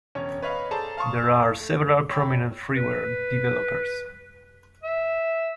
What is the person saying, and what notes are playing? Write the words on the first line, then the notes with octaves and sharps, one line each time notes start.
There are several prominent freeware developers.
E1 C#4 C#5
B4 C#5 D#5 F5 B5
G#4 A4 C5 D5 A5 A#5
F5 A5 C6 C#6 D#6
A3
C#5 G5 B5 E6
B4
E5